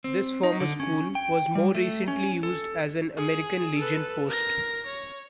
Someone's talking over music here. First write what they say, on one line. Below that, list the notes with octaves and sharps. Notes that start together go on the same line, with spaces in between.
This former school was more recently used as an American Legion post.
C4
D#4
D3
C#4
G5
G3
A3
C#4
A4
G#4
A4 B4
A#4 A#6
C#5